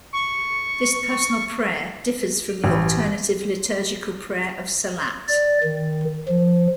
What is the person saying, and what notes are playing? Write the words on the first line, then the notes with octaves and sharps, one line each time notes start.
This personal prayer differs from the alternative liturgical prayer of salat.
C#6
A1
D5
D#3
F3